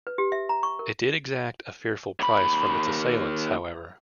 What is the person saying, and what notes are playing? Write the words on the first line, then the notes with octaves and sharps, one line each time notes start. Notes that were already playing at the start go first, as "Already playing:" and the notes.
It did exact a fearful price from its assailants, however.
B4
G4
E5
A#5
C#6
A#4
D#2 B5